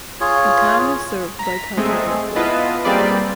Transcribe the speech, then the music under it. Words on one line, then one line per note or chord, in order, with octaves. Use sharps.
The town is served by Tata Airport.
F4 G#4 C#5
A#5 B6
G#3 A3 C4 G#4
B3 E4 F4 B4 D#5 A5
G3 A#3 C4 G#4 B4 D5